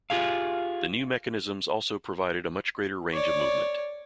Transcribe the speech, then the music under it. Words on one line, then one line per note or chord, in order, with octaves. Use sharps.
The new mechanisms also provided a much greater range of movement.
F4 G4 G#4 F5
C#5 D5